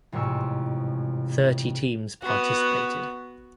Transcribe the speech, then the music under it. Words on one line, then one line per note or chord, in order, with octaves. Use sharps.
Thirty teams participated.
A1 F2 G#2 C3 C#6 E6
B3 F#4